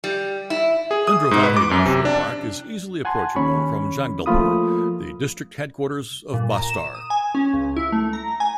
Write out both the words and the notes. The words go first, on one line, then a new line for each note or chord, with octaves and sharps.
Indravati National Park is easily approachable from Jagdalpur, the district headquarters of Bastar.
G3
E4
G#4
D#6
G#2
B4
D6
F#2
C3
D4
F#5 G#5 A5 C6
D#2 C#4 B5 C#6
F3 A3 A#3 F4 B5 D#6
A#2
A#5
E7
D#6
G#5
C#4
C#2
E4
A3
A#5
G#5